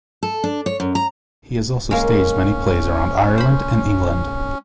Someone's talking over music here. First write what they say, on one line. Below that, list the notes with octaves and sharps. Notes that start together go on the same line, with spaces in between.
He has also staged many plays around Ireland and England.
A4
D4
C#5
F#2
A#5
G#3 A#3 C#4
C5 B5